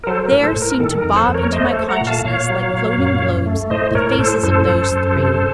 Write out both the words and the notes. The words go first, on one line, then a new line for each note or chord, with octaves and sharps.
There seemed to bob into my consciousness, like floating globes, the faces of those three.
A#4
F#3 A4 C5
A#4
A2
A4 C5
A2
A#4
D#3 A4
A4
A#4
F2
A4 C5
F2
A#4 C#5
A3 C5 D#5
C#5
A4 C5
A3
F#5 A#5
A#2
F5 A5
A#2 C#5 F5
F#3
A#2
F#2
F#2
A3
A2 C5 D#5
A2 A#4 C#5
A#4
A2 A4 C5
F#2 A4 C5
F#2
F#2
C3